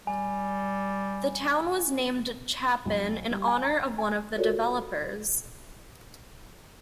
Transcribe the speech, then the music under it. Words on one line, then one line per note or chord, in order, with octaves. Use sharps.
The town was named Chapin in honor of one of the developers.
G3 G#5
B1
G3
G#5
A#5
G#5
F4 F#4 A4 A#4 C#5 D5